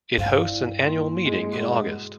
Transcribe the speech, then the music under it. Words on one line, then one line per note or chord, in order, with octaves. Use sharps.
It hosts an annual meeting in August.
G2 C4 F4
E4 D5
A#3 E4 C6
G#3
B2